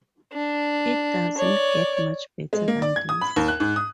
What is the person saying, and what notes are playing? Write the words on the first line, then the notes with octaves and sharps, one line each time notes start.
It doesn't get much better than this.
D4
C#5 D5
G#3
A#3
D5
G#6
D#6
B5
D#2
F#6
G#2
D#6